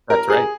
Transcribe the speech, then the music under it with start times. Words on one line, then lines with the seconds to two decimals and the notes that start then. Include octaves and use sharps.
That's right.
0.10 A#4
0.30 G#4